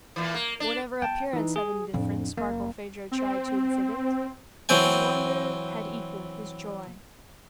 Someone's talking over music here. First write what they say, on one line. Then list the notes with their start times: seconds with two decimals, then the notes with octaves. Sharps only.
Whatever appearance of indifference Barkilphedro tried to exhibit, his wonder had equalled his joy.
0.16 A#2 E3
0.34 A#3
0.60 D4
1.02 B3 G5 A5
1.33 E3 D#4
1.56 G#4
1.94 F2 A2 D4
2.37 F#1 A#3
3.11 C4
4.69 E3 F#3 C4 G5 G#5